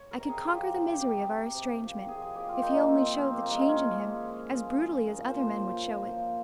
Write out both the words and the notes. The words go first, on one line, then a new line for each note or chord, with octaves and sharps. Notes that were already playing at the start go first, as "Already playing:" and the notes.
I could conquer the misery of our estrangement, if he only showed the change in him as brutally as other men would show it.
Already playing: C#5
A#4
C3
G#4
F3 G4
C3
C3 G4
C3
C3
F3
F3 G#4
G#4
A#2 G4
F4
A#2 D#4
F3 C4
F3 C4
A#3
A#2
G#3
F3 C#4
F3
F3
F3
F3
A#2
A#2 C5
A#2
A#2
F3